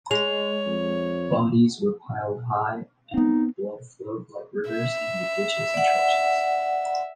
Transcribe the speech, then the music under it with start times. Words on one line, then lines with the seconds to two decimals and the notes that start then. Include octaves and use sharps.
Bodies were piled high and blood flowed like rivers in the ditches and trenches.
0.11 G#3 C#5 F7
0.67 F2
3.14 B3 C4 D#4
4.71 E5
5.74 D5 F#5